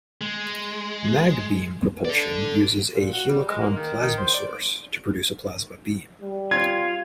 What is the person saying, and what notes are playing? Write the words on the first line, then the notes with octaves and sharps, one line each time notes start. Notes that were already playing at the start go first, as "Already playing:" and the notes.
MagBeam propulsion uses a helicon plasma source to produce a plasma beam.
G#3
A4 D5
A#2
F#4
G3
G#3
A#3
D#3
D#3
C5
D5
G3
F4 G#6